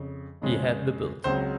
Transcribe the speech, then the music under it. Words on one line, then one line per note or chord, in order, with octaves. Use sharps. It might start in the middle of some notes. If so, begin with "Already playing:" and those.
He had the built.
Already playing: F2 C#3
F2 C#3 G#3 C4
C#2 C#3 F#3 C4 C5